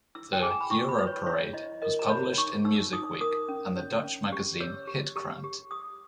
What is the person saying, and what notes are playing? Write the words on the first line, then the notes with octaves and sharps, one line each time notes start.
The "Europarade" was published in "Music Week" and the Dutch magazine "Hitkrant".
E4 E6
G5
G#4 G#5
A#5
B5
E4 C#6
B5
B4
C#5
E4 C#5
E4 D#5
A#4 D#5
A#5
C#5 B5
D#4 C#6
D#4 E6
D#4 D#6
A#4 D#6
C#4
C#5
C#4
G4
C#5 E6
G4
G4
G4
G4 D#6